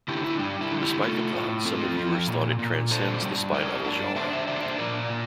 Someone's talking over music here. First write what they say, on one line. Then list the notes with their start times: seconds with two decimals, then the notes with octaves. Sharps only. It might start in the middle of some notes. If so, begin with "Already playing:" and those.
Despite the plot, some reviewers thought it transcends the spy novel genre.
0.08 D3 E4 G4
0.24 E4
0.39 G3 D4
0.61 E4
0.71 D3
0.81 E4 G4
1.02 A3 F4 A4
1.35 A2
1.65 C4 F4 A4
1.97 F3
2.27 A#2
2.59 A#2
2.91 D4 A4 C5
3.23 G3
3.54 G3 A#4 D5
3.85 D4
4.16 D4 C5 E5
4.32 C5 E5
4.47 D4 C5 E5
4.63 C5 E5
4.78 A#2 A#4 D5
5.10 A#2